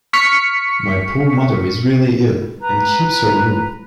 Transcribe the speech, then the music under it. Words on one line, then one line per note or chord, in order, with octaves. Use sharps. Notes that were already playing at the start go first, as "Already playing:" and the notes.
My poor mother is really ill, and keeps her room.
C#6 F6 B6 C#7
B4 A#5